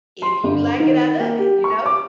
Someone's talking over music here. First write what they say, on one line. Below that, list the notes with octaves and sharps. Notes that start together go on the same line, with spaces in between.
"if you like it, I love it." You know?
C6
G1
D#3
A#3
G4
C#6
D6